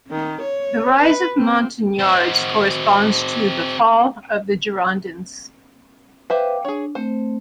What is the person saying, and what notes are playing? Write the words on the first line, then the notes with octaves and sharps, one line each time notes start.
The rise of Montagnards corresponds to the fall of the Girondins.
D#3
C#5
B4
C4
C4 F#4
B4 C5 E5 F5 G5 D6
D4 G#4 C#5
A3 C4 C5